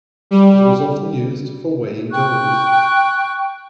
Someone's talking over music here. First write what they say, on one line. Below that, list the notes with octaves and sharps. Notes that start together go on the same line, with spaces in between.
It was often used for weighing gold.
G3
G5 C#6 F#6